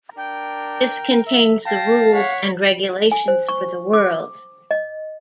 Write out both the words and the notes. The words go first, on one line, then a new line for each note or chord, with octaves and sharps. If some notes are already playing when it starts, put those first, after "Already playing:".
This contains the rules and regulations for the world.
D4 A#4 G5
E5
F5 G5 A5 A#6
C#5 F#5 B6
G#5
C5
C#6
D6
D#5